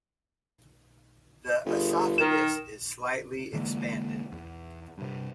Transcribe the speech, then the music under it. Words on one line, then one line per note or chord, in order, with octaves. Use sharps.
The esophagus is slightly expanded.
G1 G#4
D#3 A#4 E7
D3 E3 G#3 A#3
E2
G2 C3